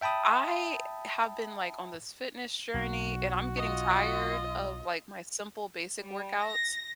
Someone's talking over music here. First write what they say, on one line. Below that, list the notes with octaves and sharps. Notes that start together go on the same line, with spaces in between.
I have been, like, on this fitness journey, and I'm getting tired of, like, my simple basic workouts.
E5 G5 A5 B5 D#6
B1 F#4
F4 D#5
G3
A#6